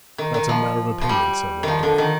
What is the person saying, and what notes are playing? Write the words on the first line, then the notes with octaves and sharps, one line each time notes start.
'That's a matter of opinion,' said Loveday.
D#3
D#3
F3
F3
G3
D#3 F3
D3
D#3